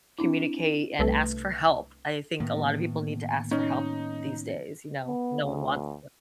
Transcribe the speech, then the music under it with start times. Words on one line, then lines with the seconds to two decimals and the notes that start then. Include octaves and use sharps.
communicate and ask for help. I think a lot of people need to ask for help these days. You know, no one wants to.
0.19 C4 D4 E4
0.99 C2 A3 B4
2.40 A2 D#3 A#3 B3
3.51 C#4 D#4
5.07 B3
5.43 D2